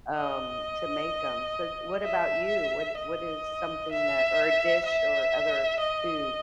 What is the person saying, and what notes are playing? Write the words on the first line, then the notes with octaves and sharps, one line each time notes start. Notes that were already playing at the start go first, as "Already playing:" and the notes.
um, to make 'em, so what about you? What what is something that or a dish or other food?
D#5
E5
D#5
E5
E5
D#5